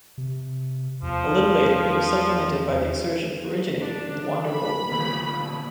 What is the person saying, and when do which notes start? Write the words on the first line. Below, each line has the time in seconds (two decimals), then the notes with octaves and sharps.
A little later it was supplemented by the excursion originating from the Wandervogel movement.
0.18 C3
1.02 E2 F3
3.82 D4
4.50 B5
4.92 D2 A#2